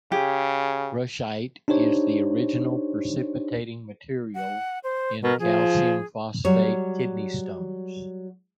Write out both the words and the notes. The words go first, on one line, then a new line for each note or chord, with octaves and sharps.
Brushite is the original precipitating material in calcium phosphate kidney stones.
C#3 G4 G#4
D4 D#4 G4 C5 C#5
F#5
C5
B2 A#4
F3 G#4
F#3 G3 C#5